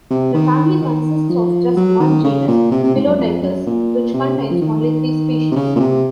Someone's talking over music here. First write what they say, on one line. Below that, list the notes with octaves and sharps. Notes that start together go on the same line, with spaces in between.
The family consists of just one genus, Pelodytes, which contains only three species.
C3
D#3
D#3
F3
F#3
D#3
C#3
A#2
C3
C3
G#2
F#2
F2
F#2
A#2
C3
C#3
F3
D#3
C3
C#3
A#2
C3